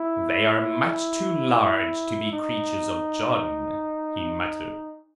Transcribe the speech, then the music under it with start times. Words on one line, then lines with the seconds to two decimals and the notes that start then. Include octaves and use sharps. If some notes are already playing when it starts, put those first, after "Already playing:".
"They are much too large to be creatures of Jon," he muttered.
Already playing: E4
2.32 D#4